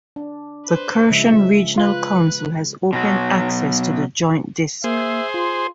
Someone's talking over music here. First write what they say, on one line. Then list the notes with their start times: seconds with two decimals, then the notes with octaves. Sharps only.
The Kherson Regional Council has opened access to the joint disk.
0.16 D4
0.66 B4 C5
1.10 C#3 F3 G#3 E5
1.78 F4 B4 F#6
2.93 B2 F#3
4.84 A#3 G#4 C5 E5
5.34 F4 C6